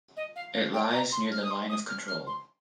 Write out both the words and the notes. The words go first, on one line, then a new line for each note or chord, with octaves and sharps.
It lies near the Line of Control.
D#5
F5
F5
G5
A#5
C6
F6
D#6
C6
D#6
F6
F6
C6